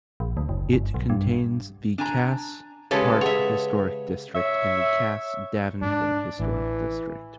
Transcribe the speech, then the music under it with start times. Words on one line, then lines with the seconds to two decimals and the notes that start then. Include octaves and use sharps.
It contains the Cass Park Historic District and the Cass-Davenport Historic District.
0.20 A#1
0.37 D2
0.49 F#1
0.73 G1
0.94 B1
1.10 G2
1.98 D4 G#5 A#5
2.91 C#3 G#3 C#4 G4 A4 B4
3.21 G#4 C#5 E5 F#5 F7
4.35 C#5 E5
5.82 G#2 D4
6.40 A1 E3